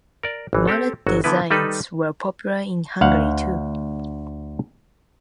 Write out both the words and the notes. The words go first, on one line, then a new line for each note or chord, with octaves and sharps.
Mallet designs were popular in Hungary, too.
A#4 D5
G#1 E3
C4 G4 A4
G1 F#3 F#4
D3 E3 B3 E4 B4
D#3 G3 D#4 A4 B4
D2 F5 F#5